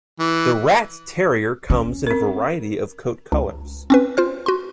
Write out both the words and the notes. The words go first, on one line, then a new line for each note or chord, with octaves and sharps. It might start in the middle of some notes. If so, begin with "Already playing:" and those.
The Rat Terrier comes in a variety of coat colors.
E3
C#4
C4 A#4
C#2
C4 C#4 B4
F4 C5 F6
F#4 C6